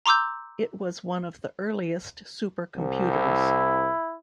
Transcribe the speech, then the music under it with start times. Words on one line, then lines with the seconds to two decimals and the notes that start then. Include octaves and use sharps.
It was one of the earliest supercomputers.
0.06 A#5 C6 D6 E6 G6
2.77 C2
3.11 E4